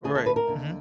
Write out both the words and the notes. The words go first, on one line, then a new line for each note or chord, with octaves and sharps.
Right, mhm.
D2 D3 G#4
A4
B4
A#4
D#2 D3